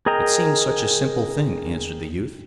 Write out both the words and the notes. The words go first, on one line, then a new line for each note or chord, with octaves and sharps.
"It seems such a simple thing," answered the youth.
G#4 A#4 D#5 G5 A#5